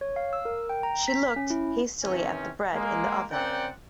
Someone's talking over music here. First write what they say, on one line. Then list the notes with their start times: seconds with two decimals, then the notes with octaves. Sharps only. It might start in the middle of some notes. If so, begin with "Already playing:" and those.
She looked hastily at the bread in the oven.
0.01 C#5
0.16 F5
0.33 E6
0.45 A#4
0.69 G5
0.83 A#5
1.08 B6
1.36 C#4
1.50 E4
2.03 C3 D#3 E3 C4 C#4
2.73 G#3 A#3
3.30 C#3 C4 A#4 D5 F#5 G5